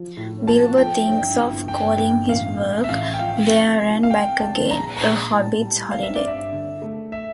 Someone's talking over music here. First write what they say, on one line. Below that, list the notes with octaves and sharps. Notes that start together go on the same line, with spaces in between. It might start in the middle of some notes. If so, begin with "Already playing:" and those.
Bilbo thinks of calling his work "There and Back Again, A Hobbit's Holiday".
Already playing: F3
A2
F3 A5
F3 G5
G2
G1
G1 G5
G1
A1 F5
A3
E5
A1 F5
G5
F3 F5
C2
C3
F5
C2 G5
C2 A5
A#1 A#5
A#1 A#5
A2 A5
G3
C4 F5
E5
D5
G2
E5
D3
A3
E5